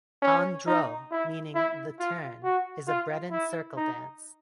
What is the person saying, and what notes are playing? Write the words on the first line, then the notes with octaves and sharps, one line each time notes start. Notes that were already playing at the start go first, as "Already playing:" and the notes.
An Dro, meaning "the turn", is a Breton circle dance.
C#4
D#4
E4
E4
F4
F#4
F4
E4
D#4